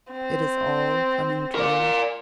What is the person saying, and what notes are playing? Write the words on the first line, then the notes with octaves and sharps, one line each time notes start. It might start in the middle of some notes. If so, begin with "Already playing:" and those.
It is all coming true.
C4
A#4 D5